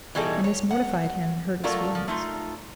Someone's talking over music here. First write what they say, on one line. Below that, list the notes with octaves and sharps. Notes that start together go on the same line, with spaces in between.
And this mortified him and hurt his feelings.
B2 E3 G3 D#4 G#4 A4
C#5
F#5
F#3 A3 F4 A4 A#4 D5
F3
A3 D#4 F4